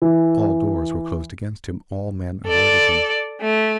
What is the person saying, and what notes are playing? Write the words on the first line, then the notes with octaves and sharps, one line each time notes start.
All doors were closed against him, all men avoided him.
E3
A4 D5
A3